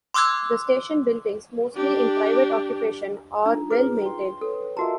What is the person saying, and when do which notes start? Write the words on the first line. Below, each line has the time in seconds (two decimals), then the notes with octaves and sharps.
The station buildings, mostly in private occupation, are well maintained.
0.14 C6 D6 E6 F#6 G#6
1.75 D4 G4
3.46 D4 D#4 F4 A#5
3.70 G#4 B4 D6
4.01 G5 C6
4.41 A4 B4 C#5
4.77 G#3 F4 F#4 A4 A#4 E5 A#5 E6